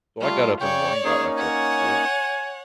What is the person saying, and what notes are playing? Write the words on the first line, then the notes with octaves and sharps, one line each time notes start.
So I got up in the morning, got myself to school,
G3 A3 F4
C#3 C#5 D5 G5 C#6
A#3 C#4 D#4 G#4
C#5 F#5 G#5